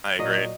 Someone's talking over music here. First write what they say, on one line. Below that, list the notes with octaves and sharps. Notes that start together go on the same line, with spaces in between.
I agree.
A#2 F#3 D#5